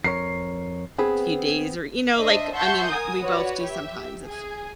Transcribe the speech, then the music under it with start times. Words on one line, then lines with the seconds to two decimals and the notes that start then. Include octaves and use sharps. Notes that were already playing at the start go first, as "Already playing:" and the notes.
few days or you know, like, I mean, we both do sometimes if
0.04 F2 A#4 C#5 C7
0.98 B3 C4 G#4 B4
2.17 D4 C5 D#5 E5
2.55 E5 F#5 A5 C6 C#6 G6
2.86 A#4 G#5 D#6
3.20 F#4 B4 C#5 D5
3.63 G4 E5
4.25 G#4 G#5